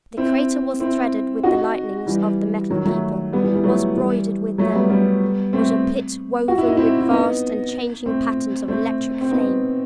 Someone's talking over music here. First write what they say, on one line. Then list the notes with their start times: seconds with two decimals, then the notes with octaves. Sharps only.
The crater was threaded with the lightnings of the Metal People; was broidered with them; was a Pit woven with vast and changing patterns of electric flame.
0.17 C4 E4
0.80 C4 E4
1.43 D#4 F#4
2.07 E3 G3
2.70 D#3 F#3
2.85 F#3 A3
3.32 G3 B3
3.43 E3 G3
3.54 E3 G3
3.64 F#3 A3
3.95 E3 G3
4.58 F#3 A3
4.75 G3 B3
4.90 G3 B3
5.53 A3 C4
6.48 F#4
6.58 E4
6.68 D#4
6.77 C4 E4
7.00 E4
7.11 B3 D#4
8.06 A3 C4
8.68 A3 C4
9.21 C4
9.31 B3 D#4